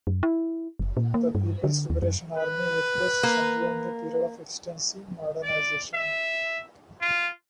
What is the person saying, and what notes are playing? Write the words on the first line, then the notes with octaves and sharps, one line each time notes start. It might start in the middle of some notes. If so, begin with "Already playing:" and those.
The People's Liberation Army Air Force is undergoing a period of extensive modernization.
F#2
E4
F#1
A#2
A#3
G2
D3
D#2
F#2
B4
A#3
D5
E5
F4